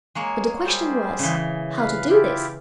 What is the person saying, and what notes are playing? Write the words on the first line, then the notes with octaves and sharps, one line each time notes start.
But the question was, how to do this.
G#3 A#3 C#5 G#5
G3 G#4 C5
C#3 E3
B4 F5
E4 F4 G4